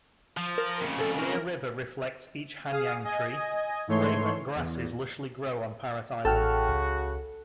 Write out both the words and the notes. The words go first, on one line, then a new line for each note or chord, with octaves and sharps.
The clear river reflects each Hanyang tree, fragrant grasses lushly grow on Parrot Island.
F3
A#4
F2 C#3
A4
A#4
G#4 F5 D#6
D#5 G#5
G#2 E3 A3 C#5 C6
E2
A1 C#3 F#4 A4 G5 F6
C#2